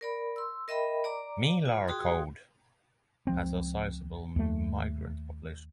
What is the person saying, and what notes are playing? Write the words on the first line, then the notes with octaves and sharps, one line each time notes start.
Melarcode has a sizable migrant population.
A#4 D5 B5
C6 E6
A#4 D#5 E5 G5 B5
D5 A#5 D6
F4
F#4 G#4 G5 C6 D#6
C#2 F3 C4
D#2 A3